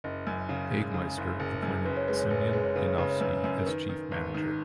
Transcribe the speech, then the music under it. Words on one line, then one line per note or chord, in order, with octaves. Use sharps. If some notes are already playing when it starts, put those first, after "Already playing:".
Hagemeister appointed Semyon Yanovsky, as Chief Manager.
F#1 D#5
F#2
C#3
G#3
C#3
F#1
F#1
F#2
F#1 B4
C#5
G#3 B4
C#5
F#1 B4
C#5
G#3 B4
C#5
C#3 B4
C#5
C#3 B4
C#5
F#2 B4
F#2
A#4
D#3 B4
D#3
G#1 B4
D#3